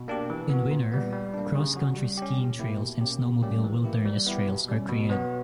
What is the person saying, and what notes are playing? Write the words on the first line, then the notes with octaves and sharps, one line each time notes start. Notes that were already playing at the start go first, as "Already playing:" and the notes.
In winter, cross country skiing trails and snowmobile wilderness trails are created.
Already playing: B2
A#3 D4 G4
E3
B3 F#4
A#2
G3 B3
G3
A#3 D4
C#3
F#3 C#4 F#4
G3
C#4 G4
A#2
A#3 E4 G4
B2
A#3 C#4 G4
A#2
G3 A#3 C#4 G4
E3
A#3 E4 G4
G3
B3 E4 G4
B2
G3 C#4
B2
F#3 B3 F#4